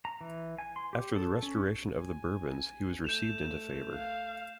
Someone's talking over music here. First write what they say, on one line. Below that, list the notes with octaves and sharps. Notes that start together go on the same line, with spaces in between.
After the restoration of the Bourbons he was received into favor.
A#5
E3
G#5
C6
G4
A4
C#4
G#5
A3 G6 E7 F7
F5